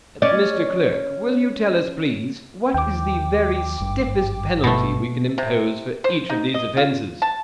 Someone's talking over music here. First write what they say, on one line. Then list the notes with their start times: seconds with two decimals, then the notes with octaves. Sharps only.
Mr. Clerk, will you tell us, please, what is the very stiffest penalty we can impose for each of these offences?
0.22 C#4 D5
2.74 D#2 G5 D6
3.80 G#1 G2
4.64 B2 A3
5.38 C3
6.04 C5
6.30 D#4
6.54 D#5
6.77 F4
7.22 A5